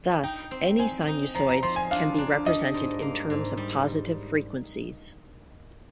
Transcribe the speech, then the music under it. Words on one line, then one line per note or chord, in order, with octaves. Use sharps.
Thus any sinusoids can be represented in terms of positive frequencies.
D#4 G5
C4
C4 G#5
D#4
F3 A#5
A#5
F3 C6
G#5
D4 F5
D4
G3 D#5
G#2
A#3
G#2
G3